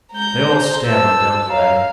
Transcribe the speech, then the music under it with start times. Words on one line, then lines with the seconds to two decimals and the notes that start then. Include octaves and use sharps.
"They all stammer, don't they?"
0.12 G#3 A#5 G6
0.50 G#4 C5
0.85 B4 A5 E6
1.21 F#4
1.50 C#5 F5 A#5